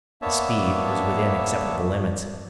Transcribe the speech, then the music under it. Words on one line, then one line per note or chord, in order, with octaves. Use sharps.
The speed was within acceptable limits.
A#3 B3 D4 C#5 E5 A5